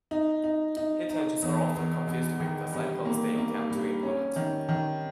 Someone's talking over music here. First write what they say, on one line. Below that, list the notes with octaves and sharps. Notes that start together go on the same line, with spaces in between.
Heat engines are often confused with the cycles they attempt to implement.
D#4
D#4
D#4
D#4
E2
E2
E2
D#3
G2
A#3
A#3
G2
C#4
D#3
D#3